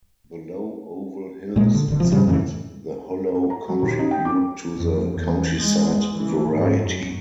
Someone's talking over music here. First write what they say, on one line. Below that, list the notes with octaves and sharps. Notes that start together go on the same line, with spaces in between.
The low oval hills inside the hollow contribute to the countryside variety.
A#2 G#3 A#3
D3
D1 D3
C3 F3
G2 A#2 C#3 G3
F2 A2 C#3 E3
A#5
F#3
D#2
D#4
G5
D6
F2
E2
G#3
E3
G#2
F#2